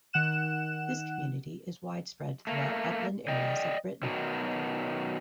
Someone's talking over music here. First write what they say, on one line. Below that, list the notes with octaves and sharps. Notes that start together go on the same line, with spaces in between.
This community is widespread throughout upland areas of Britain.
D#3 F#5 F#6 E7
A3 A#3
D5 D#5 G5
B2 D#3 F#3